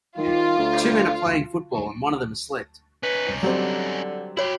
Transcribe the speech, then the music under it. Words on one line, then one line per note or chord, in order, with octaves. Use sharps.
Two men are playing football, and one of them has slipped.
D#3 F4
D2
C#4 D#4 B4
D3 F#3 G3 C4
E4 F#4 G4 C#5